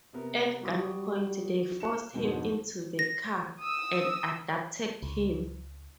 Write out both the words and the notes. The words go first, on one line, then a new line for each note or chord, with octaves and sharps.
At gunpoint, they forced him into the car and abducted him.
C3 B3 A#4
G3 F#4 D6 D#6
F#6 C#7 E7
F2 G#2 B2 D3
A#6
D#6 E6
C#2